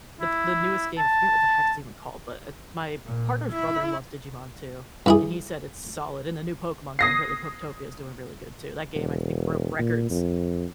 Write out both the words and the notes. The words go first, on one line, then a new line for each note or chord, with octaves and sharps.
the p the newest game I forget what the heck it's even called but, uh, my partner's brother loves Digimon too, and he said it's solid and the new Pokemon game apparently, Poketopia, is doing really good too. That game, I think, broke records
E4
A5
A#2
E4
G2 E4 G#4
D#6 A#6 C7
E1
A#2
F2